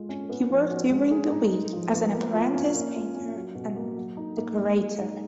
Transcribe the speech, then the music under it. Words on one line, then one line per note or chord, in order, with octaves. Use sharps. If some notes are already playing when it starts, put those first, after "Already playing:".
He worked during the week as an apprentice painter and decorator.
Already playing: G#3 F4
C#4
B3
F3
F#4
G#3
G#4
D#4
G#3
F3
B3
A#3
F4
C#4
A#3
F4
C#4
F#3
B2
A#3
F#3
D#4
A#3
G#3
G#4
D#4